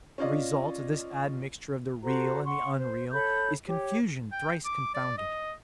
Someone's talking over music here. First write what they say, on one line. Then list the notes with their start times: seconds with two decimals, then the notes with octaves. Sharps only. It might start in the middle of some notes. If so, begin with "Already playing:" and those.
The result of this admixture of the real and the unreal is confusion thrice confounded.
0.18 C#4 F4 D5 D#5
2.03 F#4 A4 C5 A#5
2.45 F#5 C6 C#6
2.77 C5
3.12 A4 C#5 B5 G6
3.68 G4 C#5
4.32 G5
4.65 D6
4.95 D5
5.18 D#5